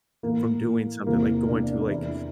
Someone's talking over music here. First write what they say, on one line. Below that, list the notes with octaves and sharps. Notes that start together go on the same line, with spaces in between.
from doing something, like going to, like,
A2 E3 A#3
E2 C3 E3 A#3
D4
D4
E2 E3 E4